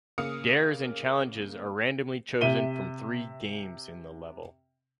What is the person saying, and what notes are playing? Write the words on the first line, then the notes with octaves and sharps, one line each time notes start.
Dares and challenges are randomly chosen from three games in the level.
C#3 A#3 F5 D#6 F6 C#7
C3 E5 D#7 G7